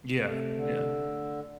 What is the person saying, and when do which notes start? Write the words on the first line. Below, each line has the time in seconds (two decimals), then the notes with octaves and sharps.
Yeah, yeah.
0.18 C3 A3
0.54 D3